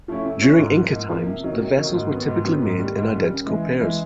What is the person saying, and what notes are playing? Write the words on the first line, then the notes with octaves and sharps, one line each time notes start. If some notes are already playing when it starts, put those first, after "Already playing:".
During Inca times, the vessels were typically made in identical pairs.
F3 A3 C#4 E4
C3
F3 A3 C#4 E4
G#2
F3 A#3
G#2
F3 A#3
C3
D#3 F#3 A#3 D#4
C3
D#3 F#3 A#3 D#4
G#2
D#3 F#3 B3
G#2
D#3 F#3 B3
G#2
D#3 G3
G#2
D#3 G3
C#3
E3 G#3
C#3
E3 G#3